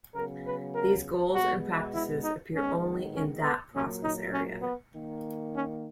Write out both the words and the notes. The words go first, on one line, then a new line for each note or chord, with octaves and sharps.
These goals and practices appear only in that process area.
C#3 F#3 B3 A#4
B4
A#4
B2 G#3 B3 F#4
E4
D#4
D#3 G#3 B3 C#4
C#4
B3
A#2 F#3 A#3 C#4
D#4
C#4
B3
D#3 A#3
C#4